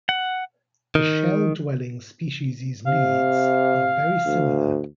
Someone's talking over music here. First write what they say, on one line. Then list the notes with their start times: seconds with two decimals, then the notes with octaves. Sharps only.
The shell-dwelling species' needs are very similar.
0.09 F#5
0.95 D#3
2.87 C3 F5
4.26 D2